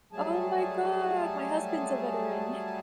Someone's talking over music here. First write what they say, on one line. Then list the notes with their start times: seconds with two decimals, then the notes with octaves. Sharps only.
Oh my god! My husband's a veteran.
0.13 F#3 G3 A3 G#4 G#5 A5